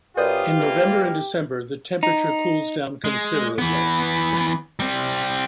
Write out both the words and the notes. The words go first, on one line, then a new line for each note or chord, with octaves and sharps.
In November and December, the temperature cools down considerably.
F#2 F4 G4 B4 C5 D5 D#6
E3 G3 A#3
D#4
G#3
E3 B3
G3 C4